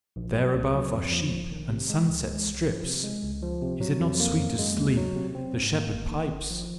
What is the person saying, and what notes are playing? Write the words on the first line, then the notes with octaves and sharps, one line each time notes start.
There above are sheep and sun-set stripes: is it not sweet to sleep--the shepherd pipes?
A#1
F#3
C#2
F#3
F2
F3
A#1
D#3
C3
G#3
C#2
G#3
C2
F3
C3
G#3
C#2
F3
C3
F#3
F2
A#3
F#2
G#3
D#2
F#3
C3
C4
G#2
A#3
G#1
D#3
G#1
F3